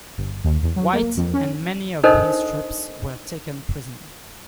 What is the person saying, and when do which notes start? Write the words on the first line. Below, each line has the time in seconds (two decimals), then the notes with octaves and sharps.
White and many of his troops were taken prisoner.
0.18 G1
0.44 D#2
0.63 E2
0.76 F#3
0.93 A#3
1.17 F2
1.34 C#4
2.04 D4 D#4 A4 A#4 C5 D#5